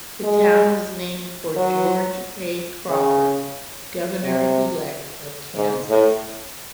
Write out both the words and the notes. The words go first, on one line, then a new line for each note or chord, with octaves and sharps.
The town was named for George A. Crawford, governor-elect of Kansas.
G#3
F#3
C#3
C3
G#2
A2